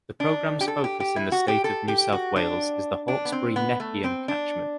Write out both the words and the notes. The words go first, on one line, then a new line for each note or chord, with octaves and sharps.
The program's focus in the state of New South Wales is the Hawkesbury-Nepean catchment.
D4
G4
A4
G4
G4
E4
F#4
G4
A4
G4
F#4
D4
D4
B3
C4
B3
A3
C4
D4